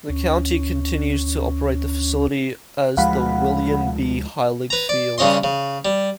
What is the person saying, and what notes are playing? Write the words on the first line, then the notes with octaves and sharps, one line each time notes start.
The county continues to operate the facility as the William B. Heilig Field.
D2 C#4
D2 F3 G#3 F5 F#5 B5
B4 A#5
D5
G2 C#3 C#4 D#5 C6
C#3
G3